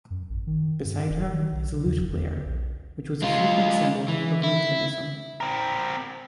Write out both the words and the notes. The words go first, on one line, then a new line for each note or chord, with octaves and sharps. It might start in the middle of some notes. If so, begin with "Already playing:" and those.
Beside her is a lute-player, which was a frequent symbol of Lutheranism.
F#2
A1
D#3
G2
F1
D#3
B1
C#3
D#2
F#1
E2
A#1
G#3 F4
E3
E4
C4 A#4